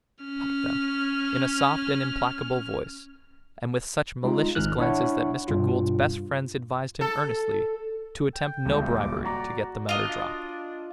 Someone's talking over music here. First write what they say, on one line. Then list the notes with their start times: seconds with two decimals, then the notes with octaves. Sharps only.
Marta, in a soft and implacable voice, and with such malicious glances that Mr. Gould's best friends advised him earnestly to attempt no bribery to get the matter dropped.
0.23 C#4 F6
4.24 G#3 D#4 F4
4.55 G#1 G#2 F6 F#6
4.79 D4 E4 C#5 F#5
5.48 G2 B2 F4
7.01 A4
8.34 G5
8.65 D#1 C#2
9.00 D6
9.24 F#4 D5 A#5
9.89 D4 F4 D#5